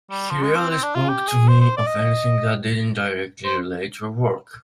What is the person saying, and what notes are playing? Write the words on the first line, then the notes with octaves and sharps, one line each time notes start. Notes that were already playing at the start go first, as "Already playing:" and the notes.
He rarely spoke to me of anything that didn't directly relate to our work.
G3
F3
G#3
C4
C4
D4
F4
G4
G#4
C5
C5
D5
D#5
C5